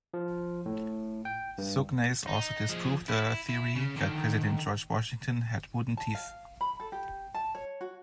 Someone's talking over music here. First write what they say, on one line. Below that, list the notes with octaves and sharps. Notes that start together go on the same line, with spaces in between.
Sognnaes also disproved the theory that President George Washington had wooden teeth.
F3
A2
G5
G2
D#4
F3 G#4
E4
E4
C#3
D3 D#3
A5
F5
B5
A4
G4
A5
C#5
F#4